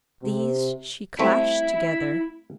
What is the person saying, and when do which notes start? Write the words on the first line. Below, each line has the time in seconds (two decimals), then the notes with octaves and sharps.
These she clashed together.
0.23 C3
1.19 G3 A3 C4 E4 E5